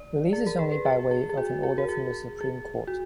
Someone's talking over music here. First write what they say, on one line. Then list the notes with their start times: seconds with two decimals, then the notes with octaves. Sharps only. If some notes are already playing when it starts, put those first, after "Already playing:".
Release is only by way of an order from the Supreme Court.
Already playing: D5
0.33 G#4
0.46 A#4
0.59 B4
0.72 B4
0.85 G#4
1.11 G#4
1.29 G#4
1.37 F#4
1.63 G#4
1.78 A#4
1.89 G#4
2.41 G#4
2.87 F#4